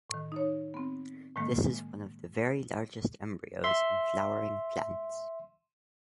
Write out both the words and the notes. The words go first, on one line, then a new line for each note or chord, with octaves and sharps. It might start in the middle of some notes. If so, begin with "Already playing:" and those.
This is one of the very largest embryos in flowering plants.
A2 D#3
D#4 C#5
B3 C4
A2 D#3 G#3 A#3
G#3
E5 C6